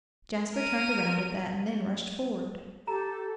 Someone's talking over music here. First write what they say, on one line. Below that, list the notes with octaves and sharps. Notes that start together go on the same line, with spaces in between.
Jasper turned around at that--and then rushed forward.
A#4 D#7
G4 A4 A#5